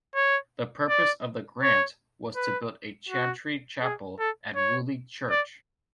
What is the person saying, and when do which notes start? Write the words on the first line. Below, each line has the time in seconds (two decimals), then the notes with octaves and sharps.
The purpose of the grant was to build a chantry chapel at Woolley Church.
0.15 C#5
0.89 D5
1.62 C#5
2.36 B4
3.09 F#4
3.83 G#4
4.19 A4
4.56 C#5
5.30 D5